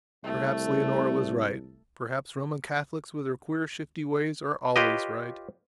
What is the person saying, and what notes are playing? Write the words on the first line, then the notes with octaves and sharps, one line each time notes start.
Perhaps Leonora was right; perhaps Roman Catholics, with their queer, shifty ways, are always right.
C2 A3
F4 G4 B4 C#5 D#5